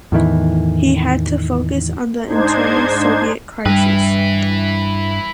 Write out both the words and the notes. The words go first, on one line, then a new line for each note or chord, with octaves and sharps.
He had to focus on the internal Soviet crisis.
E2 A2 D#3 E3
G#2 D4 D#4 C5 G#6
G2 G3 E4 B4